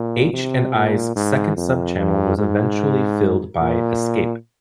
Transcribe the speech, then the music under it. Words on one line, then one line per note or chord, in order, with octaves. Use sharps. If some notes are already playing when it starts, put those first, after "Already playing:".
H and I's second subchannel was eventually filled by Escape.
Already playing: A#2
C3
A#2
G#2
F2
G2
G#2
A#2